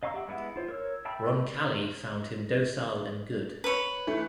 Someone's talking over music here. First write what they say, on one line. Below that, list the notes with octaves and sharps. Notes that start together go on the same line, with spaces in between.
Roncalli found him "docile and good".
D#5 F5 A#5 C#6 E6
G4 E5 F#5
G#3 B3 E4 E5 F#5
F4 C5
A#4 C#5 E6
E5 G5 A5 B5 E6
B4 C#5
E3 A3